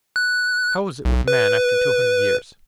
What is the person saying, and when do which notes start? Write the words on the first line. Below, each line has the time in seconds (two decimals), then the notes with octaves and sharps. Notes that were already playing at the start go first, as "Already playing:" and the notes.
How is it with man after two hundred years?
0.16 F#6
1.05 B1
1.28 B4